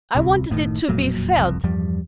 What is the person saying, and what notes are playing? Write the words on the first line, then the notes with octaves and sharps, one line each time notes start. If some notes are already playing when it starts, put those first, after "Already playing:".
I wanted it to be felt....
D1 C2 C3
F#1 A2 C3 D#3
E1 F2 A#2 F#3
F#1 C2 F2
E2 G2 F3 G3